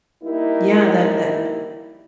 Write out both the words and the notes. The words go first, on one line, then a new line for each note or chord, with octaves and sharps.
Yeah, that that p
G3 A#3 D#4 E4